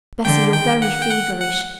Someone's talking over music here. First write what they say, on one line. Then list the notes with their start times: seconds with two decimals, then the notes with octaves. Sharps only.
'Bessy! you're very feverish!
0.25 D3 G5
0.53 D#3 G5
0.82 F#5
1.02 G5
1.10 F#5
1.40 F#5